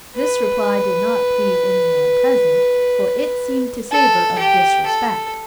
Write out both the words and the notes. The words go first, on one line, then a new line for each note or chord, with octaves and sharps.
This reply did not please any man present, for it seemed to savour of disrespect.
B4
A4
G4
A4